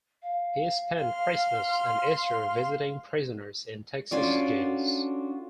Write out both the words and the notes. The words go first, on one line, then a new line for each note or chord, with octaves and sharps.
He spent Christmas and Easter visiting prisoners in Texas jails.
F5
C6 F6
C#4 D4 F4 F#4 A4 D5